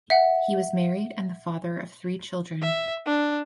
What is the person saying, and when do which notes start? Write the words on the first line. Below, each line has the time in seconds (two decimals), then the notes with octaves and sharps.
He was married and the father of three children.
0.10 E5 F#5
2.62 E5
3.06 D4